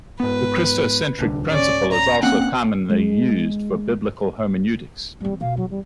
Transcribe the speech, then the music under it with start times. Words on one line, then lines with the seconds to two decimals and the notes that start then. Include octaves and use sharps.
The christocentric principle is also commonly used for biblical hermeneutics.
0.20 G#2 B3 B4
1.19 D1 C2 D3
1.49 D1 C#4 D5
1.91 A#5
2.23 A#3 C4 C#4 F#5
2.90 G#3
5.20 E3 G3 C4
5.41 B2 F5
5.57 E2 F#3
5.70 G3